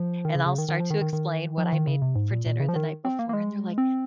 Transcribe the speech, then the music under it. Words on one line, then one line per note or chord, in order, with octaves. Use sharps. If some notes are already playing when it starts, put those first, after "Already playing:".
and I'll start to explain what I made for dinner the night before, and they're like,
Already playing: F3
D#3
C#3
C#3
D#3
D#3
F3
D#3
D#3
D#3
F3
D#3
C#3
C3
G#2
A#2
A#2
C#3
F3
D#3
C4
A#3
A#3
G#3
C4